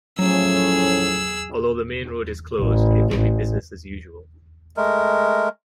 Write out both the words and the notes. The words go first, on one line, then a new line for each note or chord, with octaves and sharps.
Although the main road is closed, it will be business as usual.
A2 F3 F#3 C#4 G#4 E6
A1
A1
G#3 A3 A#4